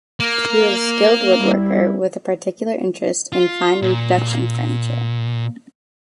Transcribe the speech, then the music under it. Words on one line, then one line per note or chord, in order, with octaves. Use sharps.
He was a skilled woodworker, with a particular interest in fine reproduction furniture.
A#3
G3 E4
F4
A#2